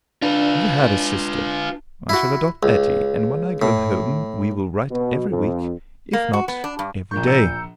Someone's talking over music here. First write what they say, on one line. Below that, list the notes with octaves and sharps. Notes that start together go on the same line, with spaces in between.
I never had a sister; I shall adopt Etty, and when I go home, we will write every week, if not every day.
D4 F4 B4
E4 F#4
C#2
A2
B2
F2
A#3
F#4
B3
D4
G2
A#1 A#2 A#3 C#6 G6
A#5 E6 C#7